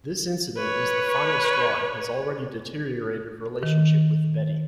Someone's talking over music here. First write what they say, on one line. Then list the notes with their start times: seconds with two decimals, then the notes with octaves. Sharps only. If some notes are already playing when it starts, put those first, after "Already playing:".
This incident was the final straw in his already deteriorated relationship with Betty.
0.56 B4 C#5
3.63 D#3